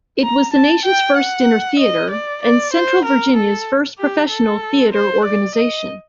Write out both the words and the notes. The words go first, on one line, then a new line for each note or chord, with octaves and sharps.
It was the nation's first dinner theater and central Virginia's first professional theatre organization.
A#5
A5
G5
F#5
D#5
D5
D5
C5
A#4
A4
G4
A4
C5
D5
D#5